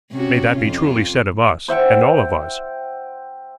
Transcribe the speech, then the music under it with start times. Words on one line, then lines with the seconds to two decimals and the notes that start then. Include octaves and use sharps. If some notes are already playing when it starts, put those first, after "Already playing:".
May that be truly said of us, and all of us!
0.12 C3 C#4 F#4
0.58 F2 F4
1.68 C5 E5 F#5 G5